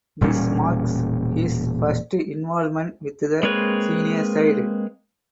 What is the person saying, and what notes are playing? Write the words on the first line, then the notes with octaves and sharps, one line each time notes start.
This marks his first involvement with the senior side.
E1 A#2 G3 C#4
G#3 A#3 C4 B4 C#5